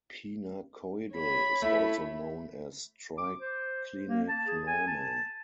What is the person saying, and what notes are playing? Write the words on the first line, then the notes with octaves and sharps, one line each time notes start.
Pinacoidal is also known as triclinic normal.
C#5 B5
A3 E4
D6
C5
A#3
A5
G#4
G#5
A5